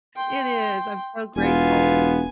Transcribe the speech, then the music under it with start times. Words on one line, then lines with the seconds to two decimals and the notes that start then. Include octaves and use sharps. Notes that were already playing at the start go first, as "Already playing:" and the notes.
It is, I'm so grateful.
0.16 G5 C6
1.36 E1 B3 F4 G#5